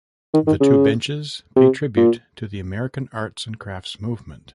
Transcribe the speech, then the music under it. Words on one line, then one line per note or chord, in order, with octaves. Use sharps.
The two benches pay tribute to the American Arts and Crafts Movement.
D#3
D#3
C#3
C3
A#2